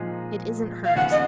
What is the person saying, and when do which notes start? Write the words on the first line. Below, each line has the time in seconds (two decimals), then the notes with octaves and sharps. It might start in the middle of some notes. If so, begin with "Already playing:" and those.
It isn't hers!
Already playing: A#2 F3 G#3 D#4
0.85 F5
0.95 D#2 C#3 F3 B3 F#4 F#5
1.12 D#5